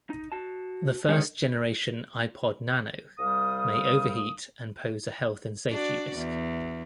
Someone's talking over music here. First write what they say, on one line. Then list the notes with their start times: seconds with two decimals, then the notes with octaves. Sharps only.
The first generation iPod Nano may overheat and pose a health and safety risk.
0.10 D#4
0.32 F#4 A5
1.09 D3 D#3 G#3 B3 C#5
3.19 C2 G3 F5 D#6
5.71 D4 F#4 D5
6.16 E2